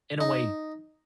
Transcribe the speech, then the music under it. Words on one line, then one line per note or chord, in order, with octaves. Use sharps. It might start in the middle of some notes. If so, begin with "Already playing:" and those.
in a way,
D#4